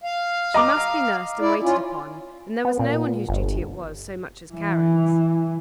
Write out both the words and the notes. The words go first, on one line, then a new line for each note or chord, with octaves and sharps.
She must be nursed and waited upon, and there was no one whose duty it was so much as Karen's.
F5
D#5 A#5 D6
E4 D5
C#4 F4
B3
A#2
G1
E3